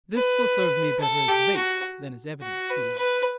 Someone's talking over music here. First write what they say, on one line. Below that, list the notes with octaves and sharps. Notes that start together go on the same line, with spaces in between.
"This will serve me better as bait than as evidence," he laughed.
B4
A4
G4
F#4
F#4
B4
B4